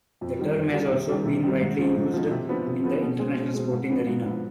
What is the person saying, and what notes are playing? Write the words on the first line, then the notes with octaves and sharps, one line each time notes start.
The term has also been widely used in the international sporting arena.
F2
D#3 G3
F2
D#3 G3
C3
D#3 G3
C3
D#3 G3
G#2
F3 C4 D#4
G#2
F3 C4 D#4
C3
F3 B3 D4
C3
F3 B3 D4
B2
G#3 C4
B2
G#3 C4
G#2
F3 B3 D4
G#2
F3 B3 D4